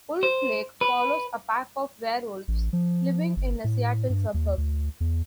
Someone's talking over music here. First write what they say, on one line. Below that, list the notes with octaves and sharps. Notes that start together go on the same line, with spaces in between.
"Wolf Lake" follows a pack of werewolves living in a Seattle suburb.
C5
B4
A1
F3
G1
A2
G2
D#2
D2
E2